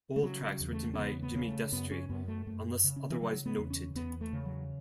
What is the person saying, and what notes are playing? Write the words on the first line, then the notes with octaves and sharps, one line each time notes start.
All tracks written by Jimmy Destri unless otherwise noted.
A3
C#3 F#3
F#3
E2
A3
C#4
C#3 B3
B3
C#3
A3
F#2 B3
C#4
F#2 B3
A3
F#2 A3
C#3
C#4
E3
C#3 F#3
B3
E2
B3
C#4
E2 B3
A3
C#3
F#3